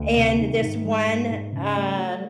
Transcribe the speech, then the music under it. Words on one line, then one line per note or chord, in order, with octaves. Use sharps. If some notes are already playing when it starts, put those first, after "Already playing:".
in this one, uh,
Already playing: D2
C3
D#3
G#2
G#3
G#2
G#2
C#3
A3
A3